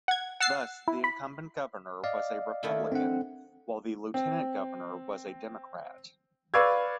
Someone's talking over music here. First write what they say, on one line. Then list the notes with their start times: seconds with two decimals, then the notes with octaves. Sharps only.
Thus the incumbent governor was a Republican while the lieutenant governor was a Democrat.
0.08 F#5 G#6
0.40 F#5 E6 A6 C7
0.88 E4
1.04 B5
2.04 D5 D#5 F5
2.63 D#3 A3 E4
2.92 C4 D4 F#5
4.14 C4
6.54 B4 D5 F5 C#6 E6 G#6